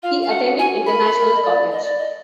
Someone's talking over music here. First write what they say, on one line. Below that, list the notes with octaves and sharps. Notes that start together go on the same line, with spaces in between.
He attended International College.
F4 F5
F5
F#4 F#5
F#4 G#5
G#4
A#4 B5
A#4
D#5
D5
D#5
D5
D#5